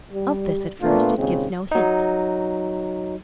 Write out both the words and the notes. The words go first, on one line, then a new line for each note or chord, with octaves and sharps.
Of this at first it gives no hint.
G3
A#2 A3 B3 D4 F4
D#2 A#2 C#3 G#3 C4
F#3 D#4